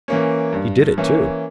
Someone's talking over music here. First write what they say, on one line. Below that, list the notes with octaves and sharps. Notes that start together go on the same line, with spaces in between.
He did it too.
E3 A#3 C#4
G2
E3 A#3 C#4